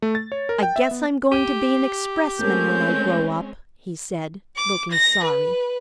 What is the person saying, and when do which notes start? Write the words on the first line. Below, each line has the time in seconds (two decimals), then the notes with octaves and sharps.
'I guess I'm going to be an expressman when I grow up,' he said, looking sorry.
0.02 A3
0.15 A6
0.32 C#5
0.49 A#4
0.63 G5
0.76 E5
0.91 B3
1.32 G4 D#7
2.39 G#3 A3 C4 C#4 A#4 G6
4.56 D6
4.91 A#6
5.22 B4